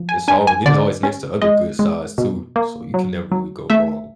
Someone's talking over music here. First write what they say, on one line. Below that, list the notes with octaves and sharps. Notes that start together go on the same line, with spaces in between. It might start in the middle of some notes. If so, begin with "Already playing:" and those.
it's all and then it's always next to other good sides too, so you can never really go wrong
Already playing: F3
G#5
D4 G#5
G#5
D3 D5
C#4
G#3 D#5
G#3
B2
A#3
F#3
F#3
A3 E5